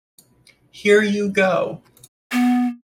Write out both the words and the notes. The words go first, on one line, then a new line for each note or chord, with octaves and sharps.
Here you go.
B3